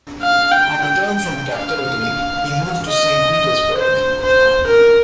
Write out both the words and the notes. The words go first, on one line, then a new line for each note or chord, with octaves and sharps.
On return from captivity, he moved to Saint Petersburg.
F5
G5
G5
G5
F5
D#5
C5
C5
A#4